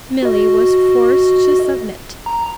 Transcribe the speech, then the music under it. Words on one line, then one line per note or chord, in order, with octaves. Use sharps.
Milly was forced to submit.
F#4 D#5
A#5